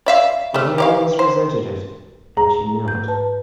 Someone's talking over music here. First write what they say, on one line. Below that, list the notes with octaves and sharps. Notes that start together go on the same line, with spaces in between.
But he always resented it, and she knew it.
D5 E5 F5
G3 A3
G4 D5 F5
C5
G#4 A#5
G#2 G6
B4 A5